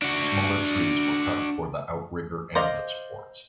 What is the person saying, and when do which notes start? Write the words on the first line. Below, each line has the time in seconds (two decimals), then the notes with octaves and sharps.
Smaller trees were cut for the outrigger and the supports.
0.02 D4 F#4
2.55 C5 D5 D#5 F5